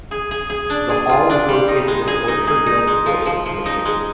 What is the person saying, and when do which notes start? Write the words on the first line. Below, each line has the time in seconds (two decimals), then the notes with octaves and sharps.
The hall is located in Orchard Lake Village, Michigan.
0.11 G#4
0.31 G#4
0.50 G#4
0.70 D4
0.90 G#4
1.09 F4
1.30 D4
1.48 G3
1.68 D#4
1.88 G#3
2.08 G#4
2.28 D#4
2.47 G#4
2.66 D#4
2.87 G#3
3.06 F3
3.26 F3
3.46 F3
3.65 D#4
3.85 G#3